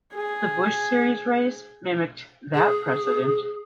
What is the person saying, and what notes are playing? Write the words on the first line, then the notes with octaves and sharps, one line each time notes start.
The Busch Series race mimicked that precedent.
G#4
G#4